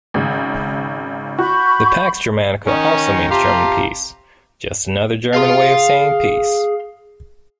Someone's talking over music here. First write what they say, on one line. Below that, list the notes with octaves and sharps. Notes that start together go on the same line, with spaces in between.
The "Pax Germanica" also means 'German peace', just another German way of saying peace.
G#1 C#3
F#4 B5 C#6 G6
D#3 C#4 D#4
C3 F4 G4 F5 A5 A#5
G#4 F5 C6